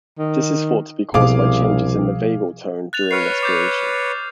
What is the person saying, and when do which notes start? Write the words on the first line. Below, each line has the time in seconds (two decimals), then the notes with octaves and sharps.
This is thought to be caused by changes in the vagal tone during respiration.
0.19 D#3
1.14 C2 B2 F3 G#4 F5 D6
2.93 F#6 A6 F7
3.11 B4 C#5 C#6 F6 C7
3.43 D6 G6 A6